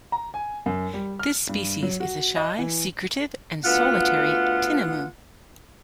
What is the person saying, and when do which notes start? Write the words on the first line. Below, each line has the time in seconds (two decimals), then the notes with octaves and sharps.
This species is a shy, secretive and solitary tinamou.
0.12 A#5
0.34 G#5
0.66 F#2
0.94 G3
1.19 F6
1.49 G2
1.82 F#3
2.00 F#4
2.36 D#5
2.59 E3
3.64 D2 B3 F4 F#5